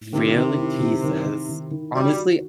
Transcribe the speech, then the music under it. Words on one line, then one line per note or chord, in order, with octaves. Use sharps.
Really? Jesus. Honestly
C3 D#3
D#3
E4
D#3
D#3
D#3
D#3
D#3
G3 F#4
F#4